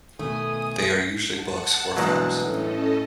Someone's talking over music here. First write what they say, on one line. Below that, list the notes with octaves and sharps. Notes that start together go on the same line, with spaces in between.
They are usually books or films.
B2 D#3 A3 G#5 D#6
F#5 A5
G2 B2 E3 F#3 G#3 A#3
A2 C#4 A4 D#5